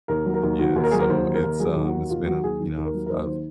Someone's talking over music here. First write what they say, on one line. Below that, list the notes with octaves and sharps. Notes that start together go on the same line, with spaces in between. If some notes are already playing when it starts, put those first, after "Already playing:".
Yeah. So, it's, um, it's been a you know, I've I've
D#2 A#4
F#3
A#4
D#2
D#3 F#4
D#2
A#4
F#3 G#4
A#4
D#2 C5
D#3
A#4
D#2
F#3 G#4
D#2
F#4
D#3
D#2 F4
F#3 F#4
D#2 G#4
D#3
D#2
A#4
F#3
A#4
D#2 C5
D#3 C5